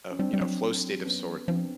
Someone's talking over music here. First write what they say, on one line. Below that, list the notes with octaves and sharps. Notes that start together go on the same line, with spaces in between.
uh, you know, flow state of sort
C#4
G3 C4 D4
G3
F#3
B3 C#4
F3 C4 D4